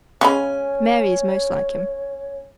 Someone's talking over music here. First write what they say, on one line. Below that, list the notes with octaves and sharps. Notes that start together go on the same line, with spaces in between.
Mary is most like him.
C#3 G#3 C#4 C#5 G#5 B5